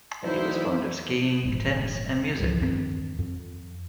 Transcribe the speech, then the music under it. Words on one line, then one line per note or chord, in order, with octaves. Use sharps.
He was fond of skiing, tennis, and music.
D2 E3 F#3 A#3 D#4 E4 B4 C5
E1 A#1 G#2
G#1 C#2 E3 F3
E2 G2 D#3 C4
F2